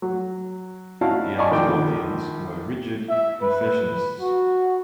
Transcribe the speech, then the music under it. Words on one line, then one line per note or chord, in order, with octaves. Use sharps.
The Amsdorfians were rigid confessionists.
F#3
C#4 D#4 E4 F#4 F5 A5
D5 D#5 G#5 A5 B5 C#6
A#1 D#3 G5 D6
E5
B4
F#4